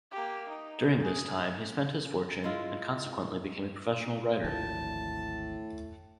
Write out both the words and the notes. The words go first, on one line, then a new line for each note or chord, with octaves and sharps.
During this time he spent his fortune and consequently became a professional writer.
A#3 G4
D#4
G#4
G#3 E4 F4
G#1 D2 A2 F3 A5